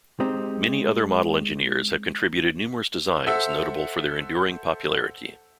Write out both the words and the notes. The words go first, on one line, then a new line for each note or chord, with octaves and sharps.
Many other model engineers have contributed numerous designs notable for their enduring popularity.
G#3 C4 D#4 G4
A4 C5 E5 F#5 E6